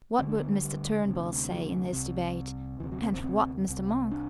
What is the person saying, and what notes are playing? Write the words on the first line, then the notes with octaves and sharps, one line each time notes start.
What would Mr. Turnbull say in this debate,--and what Mr. Monk?
D2 D3 C4
D4
B3
A3
G3
D2 C3
F#3
C2 C3
D2 C3 E3
F#3
C4
C4
C4
C2 C3
D4